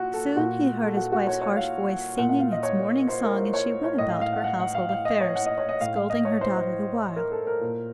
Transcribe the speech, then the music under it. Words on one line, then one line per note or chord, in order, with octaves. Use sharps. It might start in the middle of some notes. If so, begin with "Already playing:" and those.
Soon he heard his wife's harsh voice singing its morning song as she went about her household affairs, scolding her daughter the while.
Already playing: A#2 F4 F#4
A4
A#2 F#4
A4
F#4
F#4
C#5
C#5
F5
A#2 F#5
F#5
F5
D#5
C#5
C5
A#4
C5
C#5
C#5
A2 D#5
F5
F5
F#5
F#5
F#5
F5
F5
D#5
C#5
F#5
D#5
C#5
D#5
A2 F5
F5
D#5
C#5
C5
C5
A#4
A4
A#4
A#2